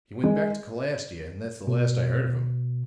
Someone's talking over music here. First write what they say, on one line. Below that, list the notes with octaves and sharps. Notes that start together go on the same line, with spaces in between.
"He went back to Calastia, and that's the last I heard of him."
G#3
B2